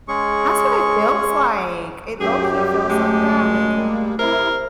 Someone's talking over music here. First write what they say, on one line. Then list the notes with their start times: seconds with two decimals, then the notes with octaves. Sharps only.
That's what it feels like; it low key feels like that, like,
0.08 G#3 C#4 G#4 C#6
2.21 F#2 G4 G#4
2.56 G3
2.90 G#3 A3
3.28 C#3 G3
3.75 G3 A#3
4.19 C3 E4 A#4 C5